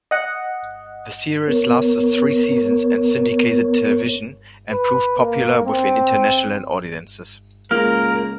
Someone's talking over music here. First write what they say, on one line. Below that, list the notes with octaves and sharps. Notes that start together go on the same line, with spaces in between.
The series lasted three seasons on syndicated television, and proved popular with international audiences.
D#5 F#5
B3 A#4 C#5
B4
A#3
C4
C#2 A#3 A#4 F6